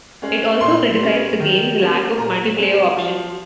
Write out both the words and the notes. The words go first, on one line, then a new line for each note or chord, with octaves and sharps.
It also criticized the game's lack of multiplayer option.
G#3 C#4
A#2 C6
G3 C#4
D#3
G3 A#3 C#4
A#2 A#5
G#3 C4
F3